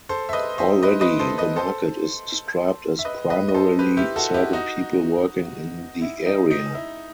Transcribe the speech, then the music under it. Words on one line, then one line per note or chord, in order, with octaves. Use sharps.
Already the market is described as primarily serving people working in the area.
A4 C5
E5
B4 D#5
C5 E5
B4 D#5
B4 D#5
A4 C5
B4 D#5
A4 C5
E5
B4 D#5
B4 D#5
D#5
A4 C5
G4 B4
E4 G4
F#4 A4
E4 G4
D#4 F#4
E4
D#4
D#4
E4